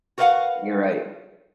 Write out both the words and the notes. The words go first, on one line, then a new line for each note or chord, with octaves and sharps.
You're right.
F#4 A#4 B4 D#5 F5 F#5